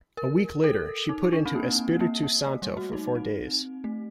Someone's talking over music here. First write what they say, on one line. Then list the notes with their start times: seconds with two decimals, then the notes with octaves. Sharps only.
A week later, she put into Espiritu Santo for four days.
0.17 A#4
0.64 A4
1.09 D#4
1.33 D4
1.46 C4
1.55 A#3
2.01 A#3
2.23 A#3
2.47 A3
2.62 G3
2.77 F#4
2.93 D#4
3.15 C4
3.84 A3